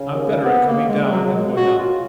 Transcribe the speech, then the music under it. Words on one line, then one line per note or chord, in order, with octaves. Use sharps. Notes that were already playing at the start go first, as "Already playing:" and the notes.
"I'm better at coming down than going up."
Already playing: C#3
D#2
D#2 B3
A#3
C#3
G#3
C#3 G#3
F#3
F#3
F#2 G#3
F#4
F#2
F4
C#3